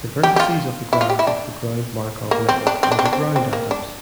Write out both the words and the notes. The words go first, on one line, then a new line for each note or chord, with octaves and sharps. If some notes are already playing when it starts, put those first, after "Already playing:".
The vertices of the graph of the ground Markov network are the ground atoms.
G4
G4
F4
E4
F4
G4
E4
D4
A#3
C4
D4
C4
D4
C4
D4
C4
C4
A#3
D4